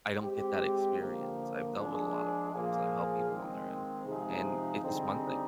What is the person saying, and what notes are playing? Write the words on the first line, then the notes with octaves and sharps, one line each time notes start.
I don't get that experience. I've dealt with a lotta problems, and I help people on their end. And it's one thing
G#3 C4 G4
D3 F3 A#3
F3 G#3 D4 G#4
A#2 F3 A#3 F4 G#4
D#3 G#3 C4
C3 F3 G#3 D#4 G#4
D3 G3 C4 D#4 G#4